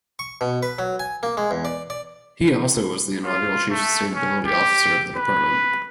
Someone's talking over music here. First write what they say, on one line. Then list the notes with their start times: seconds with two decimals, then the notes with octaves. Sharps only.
He also was the inaugural Chief Sustainability Officer of the department.
0.19 C#6
0.41 B2
0.63 B4
0.79 F#3
1.00 G#5
1.23 A#3
1.37 G#3
1.51 E2
1.65 D5
1.90 D5
3.26 F4
3.71 A3
4.15 C#4
4.46 G4
5.17 B4